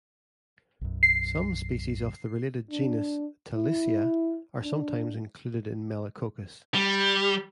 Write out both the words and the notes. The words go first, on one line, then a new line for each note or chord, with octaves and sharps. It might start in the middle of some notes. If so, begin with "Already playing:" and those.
Some species of the related genus "Talisia" are sometimes included in "Melicoccus".
B1 F#2
C7
D4
E4
D4
G3